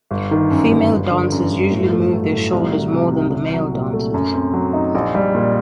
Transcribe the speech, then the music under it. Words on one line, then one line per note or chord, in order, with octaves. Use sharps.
Female dancers usually move their shoulders more than the male dancers.
G1
D#3
F#2
G1
G1
D3
F#2
G1
A2
A3
F#3
A2
C2
F#3
C3
C2
C2
F#3
A#2
A3
F#2
C4
F#3
D#4
A#1
G3
A#2